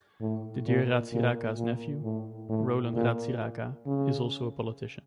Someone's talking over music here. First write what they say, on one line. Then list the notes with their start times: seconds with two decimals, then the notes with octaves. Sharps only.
Didier Ratsiraka's nephew, Roland Ratsiraka, is also a politician.
0.21 A2
0.67 A#2
1.13 A#2
1.57 A#2
2.03 A2
2.49 A2
2.95 A#2
3.86 C#3